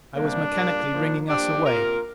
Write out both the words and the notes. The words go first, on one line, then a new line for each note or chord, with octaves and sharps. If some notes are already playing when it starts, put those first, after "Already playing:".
I was mechanically ringing us away.
C3 G3 A#3 D4
A#2 G3 A#3
A#2 F3 A#3
G2 F3 A#3 D4 G4
C3 A#3 F4 A#4